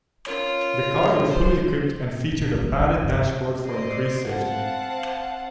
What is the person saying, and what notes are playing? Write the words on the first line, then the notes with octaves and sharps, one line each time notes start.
The cars were fully equipped and featured a padded dashboard for increased safety.
C#4 F4 A#4 C#5
C5
A#2
D#3
G#3
E3
G2
C5 D5 D#5 C7
C4 F5 F#5 A5